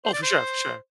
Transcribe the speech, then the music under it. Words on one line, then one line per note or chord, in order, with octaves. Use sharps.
Oh, for sure, for sure.
C5
D5
C5